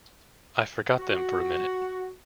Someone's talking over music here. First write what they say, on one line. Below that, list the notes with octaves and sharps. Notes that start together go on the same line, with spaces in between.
I forgot them for a minute.
F#4